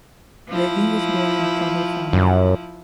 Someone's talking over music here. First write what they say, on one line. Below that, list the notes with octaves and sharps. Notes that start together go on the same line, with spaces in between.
Ravi was born in Tamil Family.
F3 E4
F#2